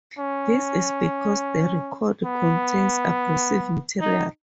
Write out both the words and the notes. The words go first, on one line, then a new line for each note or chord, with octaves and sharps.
This is because the record contains abrasive material.
C#4
B3
D#4